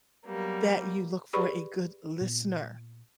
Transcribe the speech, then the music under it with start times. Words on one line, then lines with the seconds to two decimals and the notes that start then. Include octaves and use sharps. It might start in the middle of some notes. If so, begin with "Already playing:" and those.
that you look for a good listener.
0.24 F#3 G3 A#3 B3
1.33 G4 G#4 B4 D5 B5 C#6
2.21 A#2 B3